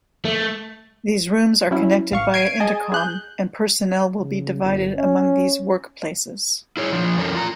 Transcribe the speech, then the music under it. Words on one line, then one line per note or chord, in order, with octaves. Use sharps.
These rooms are connected via intercom, and personnel will be divided among these workplaces.
A3
F#3 C#4 E4
A1 F5 C#6
G#6 C7 D7 D#7
G#4 D#5 G#5 A5
G#4 F#6 G6
C#3
G1
C#4
E4 G#4 C#5
F3 D4
F2 E3 C#4 A4 A#4 A5
F4 A#5